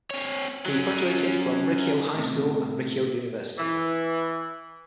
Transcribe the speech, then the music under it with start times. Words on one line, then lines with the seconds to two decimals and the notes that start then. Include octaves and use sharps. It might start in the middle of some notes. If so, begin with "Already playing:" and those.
He graduated from Rikkyo High School and Rikkyo University.
0.11 C4 C#5
0.66 F#3 C#4
2.14 A2 C3
3.58 E3